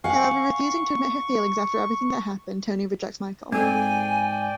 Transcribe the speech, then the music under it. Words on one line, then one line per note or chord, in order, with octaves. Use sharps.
However, refusing to admit her feelings after everything that happened, Toni rejects Michael.
A#4 F5 F#5 G#5 C#6
G#2 C4 A4 D5 G5 G#5